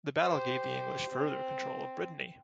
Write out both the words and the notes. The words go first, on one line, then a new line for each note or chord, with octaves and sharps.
The battle gave the English further control of Brittany.
G4 C5
C4